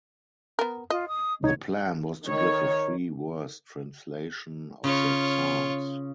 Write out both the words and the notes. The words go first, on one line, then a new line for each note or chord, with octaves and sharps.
The plan was to give a free verse translation of the Psalms.
B3 A#4
F4 D#5
D#6
C2 D#4 C#5
D#3 C#5
C#3 F4 C#5